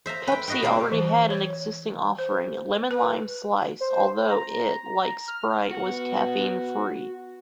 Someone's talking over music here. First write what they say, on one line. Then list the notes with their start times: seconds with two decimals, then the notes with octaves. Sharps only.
Pepsi already had an existing offering, lemon-lime Slice, although it, like Sprite, was caffeine-free.
0.06 C5 E5 F5 A#5
0.27 B4 G5
0.48 F#4 B4 D#5 F5 G5
0.62 B2 G3 A#3 C4 F5
0.92 E3
1.30 C#5
2.18 C5
2.91 B4
3.81 C5
4.29 A#5
5.28 F6
5.71 B3 F#4